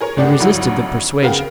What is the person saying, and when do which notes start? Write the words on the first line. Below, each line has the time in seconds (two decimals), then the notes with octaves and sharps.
He resisted the persuasion.
0.01 G#4 A#4 C#5
0.17 C#2 A2 D4 G4 D5 F#5
0.40 G#1 D2 G2 F#3 E4 F#4
1.23 C#3 B3 A#4 F5 G5